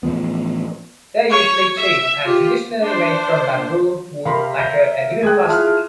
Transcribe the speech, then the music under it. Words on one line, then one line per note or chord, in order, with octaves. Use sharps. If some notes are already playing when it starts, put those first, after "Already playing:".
They are usually cheap and traditionally made from bamboo, wood, lacquer and even plastic.
A1 E3 F3 B3
C#5 C#6
E5
F4 G4
D4 C5
C3 A#4 F5 B5 C6
E5 F5 A#5 G6 A#6
G#3 A4 G5 D#6 F#6 G#6
E4 F4 G#4 E5 A5 C6 F6